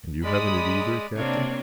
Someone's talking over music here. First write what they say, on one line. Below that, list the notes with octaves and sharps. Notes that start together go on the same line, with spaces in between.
"And you haven't it either, captain?"
G#3 D5 B5 D#6
D5
C3 A#3 C4 D4 C#5